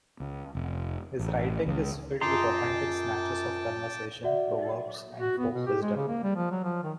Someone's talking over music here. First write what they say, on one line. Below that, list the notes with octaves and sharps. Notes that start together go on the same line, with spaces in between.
His writing is filled with authentic snatches of conversation, proverbs, and folk wisdom.
C#2
F1
A1
C#2
F#2 F4 D#5 G5 A5 A#5 C6 D6
F#4 D5 E5 F#5
F#4
B3
B2
G4
G#3
C#3
A#3
G3
F3
F#3
F3
D#3